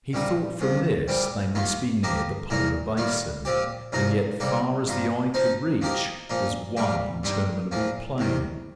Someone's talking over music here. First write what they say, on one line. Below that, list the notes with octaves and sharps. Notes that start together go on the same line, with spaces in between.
He thought from this they must be near the Polar Basin, and yet far as the eye could reach was one interminable plain.
A#1 A#2 G3 D#4
C2 C3 F3
A#2 G3 C4
D#2 D#3 A#3 F4
F3 A#3 G4 A#4 D#5
C2 A#2 A#3 D#4 A#4
D#3 G3 A#3 F4
A#2 F3 C4 G4
C2 A#2 F3 D#4 A#4
C3 G3 A#3 D#4
G2 F3 D#4
F3 D#4 C5 F5
F3 A#3 G4 A#4 D#5
A#2 F3 A#3 D#4
A#1 A#2 G3 A#3 G4
G2 G3 D#4
A#1 A#2 F3 A#3
C2 C3 D#3